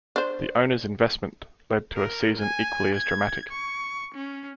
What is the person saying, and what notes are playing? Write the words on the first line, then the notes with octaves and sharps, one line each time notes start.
The owners' investment led to a season equally as dramatic.
D4 C5
A#4
G#5
G#6
C#6
C#4